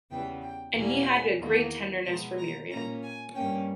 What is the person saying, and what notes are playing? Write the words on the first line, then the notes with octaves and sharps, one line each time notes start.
And he had a great tenderness for Miriam.
E2 C#3 E3 G3 B3 G5
G5
E2 B2 G3 A#3 G#5
E2 D#3 A#3
B2 G#3 B3 A#5
A#5
A#2 A#3 C#4 A#5
G#5
G2 G3 A#3 C#4 G5